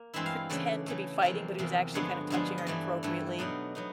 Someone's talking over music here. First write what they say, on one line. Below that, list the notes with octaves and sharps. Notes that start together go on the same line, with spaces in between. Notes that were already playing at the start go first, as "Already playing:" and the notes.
pretend to be fighting, but he was actually kind of touching her inappropriately,
Already playing: A#3
G2 E3 G#3 C4 E4 E5
F5
C#3 E3 A3 D5
C#3 E3 A3
E2 C3 F3 A#3
E2 C3 F3 A#3
G2 D3 F3 G#3 B3 C#5
G2 D3 F3 G#3 B3
D#5
G2 E3 A3 D5
G2 E3 A3
B2 F#3 B3 D#4 D5
F#3 B3 D#4